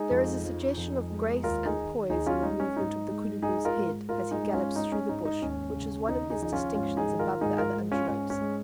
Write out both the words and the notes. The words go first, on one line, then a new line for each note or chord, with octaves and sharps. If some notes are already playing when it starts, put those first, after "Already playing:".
There is a suggestion of grace and poise in the movement of the koodoo bull's head as he gallops through the bush which is one of his distinctions above the other antelopes.
Already playing: G#3 D#4 G#4
F2
F3
F2
G#3
D#2 F4 A#4
D#4 G#4
D#3
D#2 D#4 G#4
C#4 F4
G#3 D#4
C#4
G#2 D#4
G#3
G#3 D#4 G#4
G#4
F4 A#4
G#2
G#2 F4 A#4
D#4 G#4
G#3
C#4 F4
G#3 D#4
C#4
G#2 D#4
D#4
D#2 C#4
C#3
D#2 D#4
D#4 G#4
F3 D#4
C#4 F4
G#2 C#4 F4
D#4 G#4
D#3
F4 A#4
G#2 D#4 G#4
F4 A#4
G#3
C#4 F4
G#2 C#4
C#4
G#3